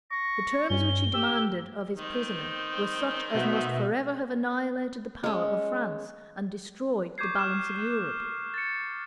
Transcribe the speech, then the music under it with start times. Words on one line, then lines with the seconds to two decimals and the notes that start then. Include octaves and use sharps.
The terms which he demanded of his prisoner were such as must forever have annihilated the power of France, and destroyed the balance of Europe.
0.11 C#6 A#6
0.70 G2 C#4 G7
1.14 G4 E6
1.97 D#3 C4 D#4
3.34 B2 F#4 E5
5.24 G#3 C#4
7.18 C#6 D6 G6 G#6 C7
7.36 F6 F#6 E7
8.54 A6 C#7